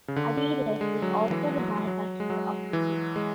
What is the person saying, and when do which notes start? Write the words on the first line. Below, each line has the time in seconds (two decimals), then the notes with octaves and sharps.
Adidas is also the manufacturer of the kit.
0.08 C#3
0.16 D3
0.37 D3
0.81 G#3
1.02 F#3
1.30 E3
1.59 F#3
1.87 F#3
2.20 G#3
2.30 F#3
2.73 E3
3.16 G#3